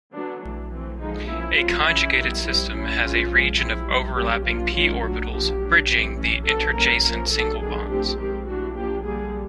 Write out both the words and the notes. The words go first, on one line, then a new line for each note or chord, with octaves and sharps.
A conjugated system has a region of overlapping p-orbitals, bridging the interjacent single bonds.
D3 F#3 B3 D4
E3 A3 D4
E3 A3 C4
D3 F3 G#3 D#4
F3 A#3 C#4 E4
F#3 A3 C4 F4
E3 G#3 C#4 E4
D#3 G3 B3
G3 C4 E4
F#3 A3 C#4 E4
E3 G#3 C#4 F4
F3 G#3 C#4
F3 G#3 C4 E4
G3 C4
G3 A#3 C#4 G4
F3 A#3 D4 F4
D#3 G#3 C#4 F4
F#3 A3 D4 F#4
D3 F3 A#3 G4
F#3 A3 D4
E3 G3 C4
E3 A3 C#4
F#3 B3 D4 A4
G3 A#3 C#4 A#4
F3 A#3 C#4 A#4
F#3 A3 D4 A4
D#3 G3 B3 D4 G#4
F3 A3 C4 G4
D#3 G#3 C4 G4
E3 A3 D4 F#4
F3 A#3 D4 G4
D3 G3 A#3 G#4